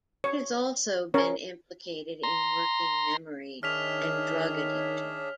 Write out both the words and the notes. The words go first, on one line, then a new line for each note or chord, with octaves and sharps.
It has also been implicated in working memory and drug addiction.
C#5
C#4 A#4 C#5
A#5 C6
D#3 D4 G#4 C#5 E5 F6 B6 F7